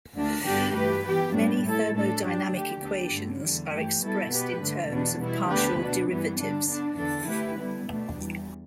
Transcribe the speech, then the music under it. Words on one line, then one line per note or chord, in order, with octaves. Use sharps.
Many thermodynamic equations are expressed in terms of partial derivatives.
D2 D3 A3 D4
G2 D3 B3 D4 G4
G2 E3 A3 G4 B4
E3 B3 G4
A2 G3 B3 D4
A2 A3 E4 A4
A2 A3 D4 A4
G2 G3 D4 G4
D3 A3 G4
D2 D3 B3 D4 G4
G2 D3 A3
E2 D3 G3
G2 E3 A3 G4
B2 G3 E4 A4
B2 B3 G4 B4
G2 D3 A3
E2 B2 G3 B3 D4
B2 G3 B3 E4
D2 D3 B3 G4 B4
B2 B3 D4
G2 E3 G3 B3
D3 G3 D4
D3 B3 D4
E2 D3 B3 D4 A4
D3 A3 E4 G4 B4
D3 G3 B3 E4
B2 A3 D4
E2 E3 G3